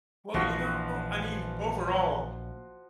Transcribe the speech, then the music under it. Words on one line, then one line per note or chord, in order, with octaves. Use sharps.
Well, you know I mean, overall,
A#1 E3 F3 F#4